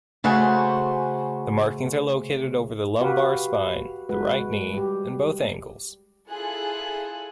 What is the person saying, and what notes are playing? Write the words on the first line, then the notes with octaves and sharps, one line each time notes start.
The markings are located over the lumbar spine, the right knee, and both ankles.
C#3 A3 F#4 C5 F#5 G#5
F#4 G4 B4 F5
G#3 F#4 B4
G3 G4
E4 F4 G#4 A4 G#5 F#6